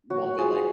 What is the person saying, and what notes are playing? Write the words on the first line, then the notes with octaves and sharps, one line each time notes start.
won't get like
F#3 F#4
F4 G#4